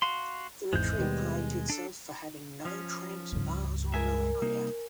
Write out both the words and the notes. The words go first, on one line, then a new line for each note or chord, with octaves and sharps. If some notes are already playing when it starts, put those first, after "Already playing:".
The retreat prided itself for having no tramps, bars, or malaria.
F#4 F5 C6
G#1 E2 G#2 G#3 G6
D#2 B2 G3
D4 A4
F3 C#4
C#2 G2
G#3 A#4 E5 G#5
C2 A#3 D#4